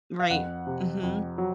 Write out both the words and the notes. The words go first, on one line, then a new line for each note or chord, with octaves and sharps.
Right, mhm.
F5
F2 F#5
C3
F2
F#3